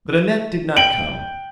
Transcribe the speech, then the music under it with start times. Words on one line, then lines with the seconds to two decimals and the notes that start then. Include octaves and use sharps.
But Annette did not come.
0.76 G5 D7 F#7